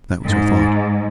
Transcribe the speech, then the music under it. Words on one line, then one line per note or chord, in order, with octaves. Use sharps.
That was her thought.
G#2